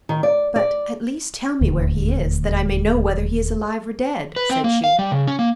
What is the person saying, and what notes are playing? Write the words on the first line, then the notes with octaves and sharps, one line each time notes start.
"But, at least, tell me where he is, that I may know whether he is alive or dead," said she.
D#3
D5
D5
D#1 D2
B4
C4
A#3
F5
G3
C#3
C#4
A#3